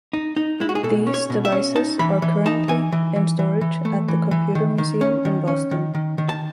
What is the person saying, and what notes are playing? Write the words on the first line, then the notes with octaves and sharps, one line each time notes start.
These devices are currently in storage at the Computer Museum in Boston.
D#4
D#4
G#3 E4
F#4
G#4
B2 A4
C#4
C#5
B2
E5
C#4
D#4 A5
E3 B5
E3
D#4 A5
E3 G#5
E3
E3
E3
E3
A3
E3
E3
D#3
D#3
C#4
D#3
C#4
D#3
D#3
D#3
A5